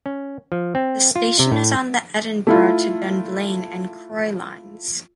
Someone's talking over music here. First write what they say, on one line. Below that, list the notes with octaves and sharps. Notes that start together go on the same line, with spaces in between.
The station is on the Edinburgh to Dunblane and Croy Lines.
C#4
F3
C4
F4
C3
A2
A3 E4 F4